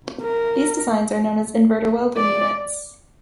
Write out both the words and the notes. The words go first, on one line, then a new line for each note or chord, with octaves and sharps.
These designs are known as inverter welding units.
A#4
D5